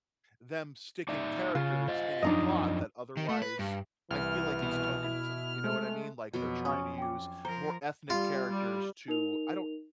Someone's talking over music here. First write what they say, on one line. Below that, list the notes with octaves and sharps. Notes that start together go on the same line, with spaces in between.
them sticking characters in a plot that otherwise I feel like it's tokenism. You know what I mean? Like, they're trying to use more ethnic characters to I don't
D#4 D5 E5
C#3 F4
C5 D#5
F#2 F3 D4 D#4 D#5
D#3
A3
B4
G2
C2 E3 F6
B2
E4
G#3 A3
F2 B2 F#3 D6
C#4 D#6
G5 D6
F3 A#4 C5 A#5
G3 F4
G3
D#4 A#4 F7